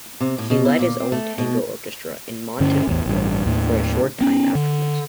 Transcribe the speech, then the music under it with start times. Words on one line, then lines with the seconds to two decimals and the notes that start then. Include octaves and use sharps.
He led his own tango orchestra in Montevideo for a short time afterwards.
0.20 C3
0.38 A2
0.50 B2
0.65 E4
0.79 A#2
0.99 C4
1.12 A3
1.38 B2
2.60 G2 D3 C#4
2.87 A1 E2
3.06 A1 G2
3.46 D#2 A2
4.21 B3 C#4
4.55 D3